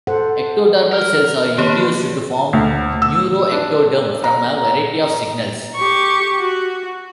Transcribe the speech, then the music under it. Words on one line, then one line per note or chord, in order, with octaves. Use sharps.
Ectodermal cells are induced to form neuroectoderm from a variety of signals.
A4 C5 F#5
A#4
D#3 A#3 D4 G4 B4 C#5
D2
E6
D4
A#5
G4 C#6
F#4